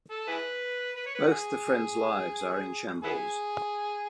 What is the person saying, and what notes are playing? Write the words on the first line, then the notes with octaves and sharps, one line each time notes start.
Both the friends lives are in shambles.
A4
E4 G#4 B4
B4
C#5
B4
F#4
G#4
B3 E4 G#4